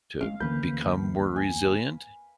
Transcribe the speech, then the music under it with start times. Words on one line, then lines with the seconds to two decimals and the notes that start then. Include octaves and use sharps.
to become more resilient
0.21 G#3 B3 C#4 F5
0.40 D2 D3 E3 A#3 C#4 B4 G6
1.36 G#5